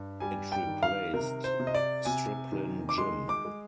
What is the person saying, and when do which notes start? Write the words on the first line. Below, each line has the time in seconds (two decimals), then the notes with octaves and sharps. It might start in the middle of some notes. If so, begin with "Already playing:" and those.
It replaced Striplin Gym.
Already playing: G2
0.20 G3 G#5
0.52 G5
0.67 D#3
0.83 F5
1.14 C3 A#4
1.44 C5
1.60 C3
1.67 D#5
1.75 D5
2.05 C3 G#5
2.52 D#3
2.89 D6
2.98 G#3 C6
3.29 D6
3.45 G#3